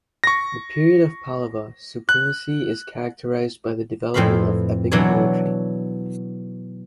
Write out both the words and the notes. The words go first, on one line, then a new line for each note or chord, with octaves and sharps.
The period of Pallava supremacy is characterized by the development of epic poetry.
C#6 A#6
F#6
F2 A2 C4 B4 F5 B5
B2 E3 F#3 D4 C#5 G#5